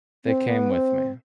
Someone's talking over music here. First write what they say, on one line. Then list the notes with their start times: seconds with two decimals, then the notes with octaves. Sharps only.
They came with me.
0.25 C4
0.47 B3
0.71 C4